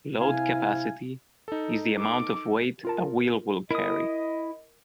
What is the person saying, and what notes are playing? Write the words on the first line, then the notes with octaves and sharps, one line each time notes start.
Load capacity is the amount of weight a wheel will carry.
C3 E4 F5 G#5
D#4 A4
D6
F4 A#4 A5
E4 A#4 D#5 D#6